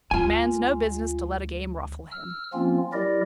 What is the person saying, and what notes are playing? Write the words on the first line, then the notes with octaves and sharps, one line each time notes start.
"A man's no business to let a game ruffle him."
D2 G#3 F4 G#5
E6 F6
F3 A#3 C4 C#4 F4
F#3 E4 G4 A#4 D5 D#5